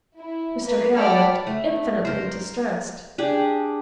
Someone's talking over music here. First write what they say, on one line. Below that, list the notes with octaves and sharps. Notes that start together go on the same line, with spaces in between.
Mr. Hale looked infinitely distressed.
E4
A#3 B4
D5 F#5 G5 A5 B5 F6
A3
A#4 C5
D4 G4 G#4